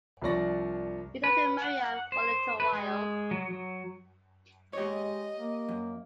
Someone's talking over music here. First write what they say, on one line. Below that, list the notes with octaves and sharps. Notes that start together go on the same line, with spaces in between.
He talked to Miriam for a little while.
C2 F3 D4 D5 C#6 A#6
B4
F#5
C5
B4
G#3
F#3
F#3
G#3 G4 C#5 D#5
A#3
F#2